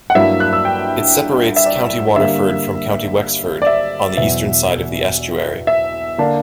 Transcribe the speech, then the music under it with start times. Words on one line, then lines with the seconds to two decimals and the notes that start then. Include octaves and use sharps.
It separates County Waterford from County Wexford on the eastern side of the estuary.
0.10 F#5
0.15 G2 F#3 A#3 E4 E5
0.40 F#6
0.53 E6
0.65 G5
1.56 E5
1.66 D5
2.16 D3 G3 A#3 E5
3.62 D5
3.67 E5
4.17 E2 B2 F#3 B3 E5
5.67 E5
6.18 D3 A#3 D4